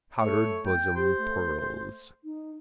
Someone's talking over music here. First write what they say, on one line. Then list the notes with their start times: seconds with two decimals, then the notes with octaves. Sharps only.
Powdered bosom pearls.
0.18 A3 C#5
0.66 G5
0.96 G4 C5
1.17 A3
2.24 D#4